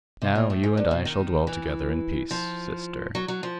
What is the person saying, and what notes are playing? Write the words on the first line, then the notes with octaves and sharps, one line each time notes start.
Now you and I shall dwell together in peace--sister.
C3
A#2
A2
G#2
G2
B2
D#3
E3
F3
F#3
F#3
F3